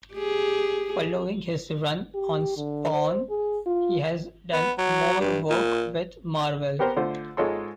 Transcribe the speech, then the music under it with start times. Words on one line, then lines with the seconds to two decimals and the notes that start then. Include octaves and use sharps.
Following his run on "Spawn" he has done more work with Marvel.
0.14 G4 G#4
2.15 G4
2.57 D3
2.93 C5
3.30 G#4
3.66 F4
4.53 B3
4.78 F#3
5.20 G2
5.50 A#2
6.79 B3 G4 A#4 C5
6.97 D3 A3 F4 C5
7.37 G#2 G#3 F4 A4 C#5 C6